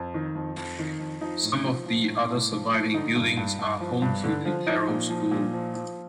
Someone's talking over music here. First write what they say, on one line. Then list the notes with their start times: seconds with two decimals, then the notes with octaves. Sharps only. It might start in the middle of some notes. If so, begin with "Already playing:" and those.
Some of the other surviving buildings are home to the Darrow School.
Already playing: F2
0.14 D#3
0.35 F2
0.57 F2
0.79 D#3
1.00 F2
1.21 F3 D#4
1.43 A2
1.65 F3
1.86 F3
2.08 A2
2.29 A2
2.51 F3
2.72 F3
2.94 D3 D#4
3.16 G2
3.37 G2
3.59 G2
3.80 F3
4.02 G2
4.24 D3
4.45 F3
4.66 F3 D#4
4.88 A#2
5.10 F3
5.31 A#2
5.53 F3
5.74 F3